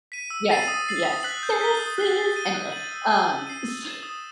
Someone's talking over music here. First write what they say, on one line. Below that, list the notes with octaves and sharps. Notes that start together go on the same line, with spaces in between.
Yes, yes. This is anyway, um, so
B6 D#7
E6
A6 C7 D#7
D#6
A6 C7 F#7
D#6
F#6 B6 F#7
G6
B6 D#7 G7
D#6
F#6 A6 C7 F#7
A6
D#7 G7
F#6
A6 D#7 F#7
E6
G6 C7 D#7 G7
F#6
C7 D#7
E6
A6 C7 E7
D#6